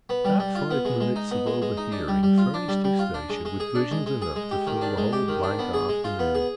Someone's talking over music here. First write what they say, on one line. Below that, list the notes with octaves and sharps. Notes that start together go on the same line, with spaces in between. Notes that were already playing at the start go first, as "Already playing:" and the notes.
That five minutes of overhearing furnished Eustacia with visions enough to fill the whole blank afternoon.
B3
G3
G3
F4
B3
G#3
G#3
D#4
B3
G#3
G#3
D#4
D4
G3
G3
F4
D4
G3
G3
F4
D4
G#3
G#3
G#4
D4
G#3
G#3
G#4
G#3
G4
D#3
D4
G#3
G4
D#3
D4
B3
G#4
G#3
F4
B3
G#4